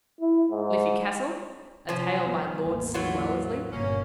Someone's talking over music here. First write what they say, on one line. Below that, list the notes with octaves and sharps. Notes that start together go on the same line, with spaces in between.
"Liffey Castle," a Tale by Lord C. Wellesley.
E4
G#2
C3 F3 C#4
G3 B3
A1 E2 A#3
E3 F#3 F4
G1 A#2 A#3 C#4